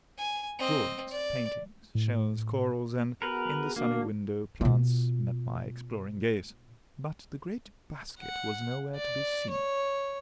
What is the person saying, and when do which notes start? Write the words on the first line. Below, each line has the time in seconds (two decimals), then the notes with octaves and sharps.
Drawings, paintings, shells, corals, and, in the sunny window, plants, met my exploring gaze, but the great basket was nowhere to be seen.
0.18 G#5
0.59 C4 D#5
1.11 D5
1.95 A2
3.22 B3 F#4 G#4 A#4 B4
3.76 D3 A#3 D4 F#4
4.61 B2 F4
8.20 F#5
8.96 D5
9.50 C#5